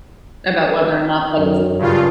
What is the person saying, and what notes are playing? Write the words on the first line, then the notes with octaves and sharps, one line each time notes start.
about whether or not that is
F#2
G2 C#3 F4